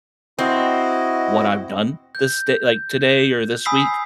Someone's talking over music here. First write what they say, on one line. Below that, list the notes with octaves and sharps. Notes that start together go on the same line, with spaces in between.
what I've done this day like, today or this week?"
C4 E4 F#4 D#5
G6
G#5 B5 D#6 E6 B6 C7